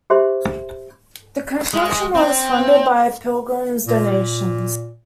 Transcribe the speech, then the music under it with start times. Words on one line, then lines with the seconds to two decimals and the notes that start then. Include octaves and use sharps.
The construction was funded by pilgrims' donations.
0.10 G4 G#4 C5 E5 C6
1.74 G#3
2.15 C4
3.87 A#2